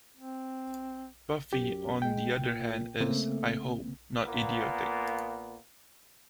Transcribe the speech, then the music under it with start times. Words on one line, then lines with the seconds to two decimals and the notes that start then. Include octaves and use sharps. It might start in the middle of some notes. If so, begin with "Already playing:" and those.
Buffy, on the other hand is, I hope, not idiotic.
0.17 C4
1.53 F#2 G4
2.02 G#3 G5
2.40 A#2
3.00 C#3 A3 A#3 C4
4.26 A#2 A#3 B3